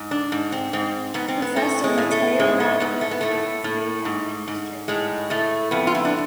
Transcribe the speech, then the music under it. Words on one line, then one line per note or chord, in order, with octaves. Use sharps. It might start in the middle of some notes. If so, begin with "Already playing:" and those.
Professor Mateo Valero is its main administrator.
Already playing: G#2
D4
G#2
C4
G#2 C4
G#2 B3
C4
B3
A2 A3
G#3
A2
A3
G#2 G#3
A3
G#2 B3
A3
B3
A2 A3
A2
G#2
G#2
A2 G#3
A2 A3
F2 B3
F4
E4
D4